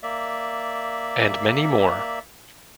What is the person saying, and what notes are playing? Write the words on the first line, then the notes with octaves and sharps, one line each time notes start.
And many more.
A#3 D5 E5